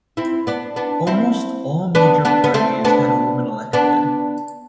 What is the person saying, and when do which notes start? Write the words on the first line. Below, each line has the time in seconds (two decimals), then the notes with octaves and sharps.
Almost all major parties had a woman elected.
0.17 C4 E4
0.47 B3 D4
0.76 B3 D4
1.07 C4 E4
1.95 B3 D4
2.25 B3 D4
2.44 B3
2.54 A3 C4
2.85 B3 D4
3.73 B3 D4